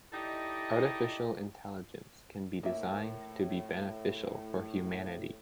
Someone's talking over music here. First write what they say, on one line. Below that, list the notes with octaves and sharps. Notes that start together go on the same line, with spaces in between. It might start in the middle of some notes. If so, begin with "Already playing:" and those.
Artificial Intelligence can be designed to be beneficial for humanity.
D#4 E4 G4 A4 D5 D#5
A2 A#3 E5